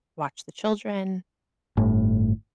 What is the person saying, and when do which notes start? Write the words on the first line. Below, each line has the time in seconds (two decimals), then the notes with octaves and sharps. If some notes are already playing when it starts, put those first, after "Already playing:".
to watch the children
1.77 G1 A2